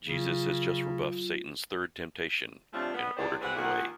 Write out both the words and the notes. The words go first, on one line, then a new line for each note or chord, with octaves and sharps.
Jesus has just rebuffed Satan's third temptation and ordered him away.
C#3 F#3 F4
C#3 F3 G3 A3 C4 D4
B3
E2 F#3 G4 C5 D5
G3 G#3 C4 F#4 B4 F#5
D#2 A#2 A#4 F#5